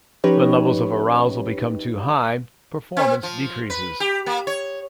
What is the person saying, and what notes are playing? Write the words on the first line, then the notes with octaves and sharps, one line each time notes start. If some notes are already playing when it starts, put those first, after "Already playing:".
When levels of arousal become too high, performance decreases.
F3 C#4 D#4 G4 B4 C#5
C4
F3
B4
G4
A#3
C#5